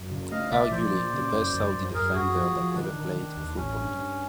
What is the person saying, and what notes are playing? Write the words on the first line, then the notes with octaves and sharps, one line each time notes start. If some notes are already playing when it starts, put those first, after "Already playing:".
Arguably, the best Saudi defender that ever played football.
Already playing: F#2
C#3
A3 D#5 F5
B1 D5 E5
F3 C5 D5
A#2
C#3
F#2
F#2
F#2
F#2 G#4 A#4
F#2 F#4 G#4
F3
F3
D#3 D4
D#3
D#3
D#2
A1 C#4
G2
G2